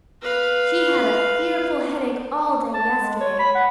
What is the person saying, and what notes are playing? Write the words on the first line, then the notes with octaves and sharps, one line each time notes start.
She had a fearful headache all day yesterday.
B4 F5
A5
G#3
C#5
B5
F#5